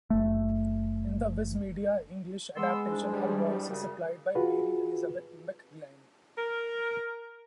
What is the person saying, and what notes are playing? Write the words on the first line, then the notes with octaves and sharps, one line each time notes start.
In the Viz Media English adaptation, her voice is supplied by Mary Elizabeth McGlynn.
F#1 A3
G#3 B3 C6 E6
E2 G#2 D4
G3
F#2 C#3
F4 F#4 G#4 B4
A#4